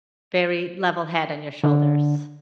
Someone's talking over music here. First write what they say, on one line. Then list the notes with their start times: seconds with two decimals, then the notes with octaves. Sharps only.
very level head on your shoulders.
1.64 D3 D4